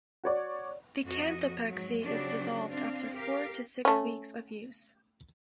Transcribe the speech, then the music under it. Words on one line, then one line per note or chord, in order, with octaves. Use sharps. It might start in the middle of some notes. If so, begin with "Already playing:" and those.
The canthopexy is dissolved after four to six weeks of use.
F#4 C#5 D5
F2 F#4 D#5
G#2 F#3
C#3 F#3 C4 D4 F#4 G4
C4 D4 F5
G4 A#4 F5
A3 C#4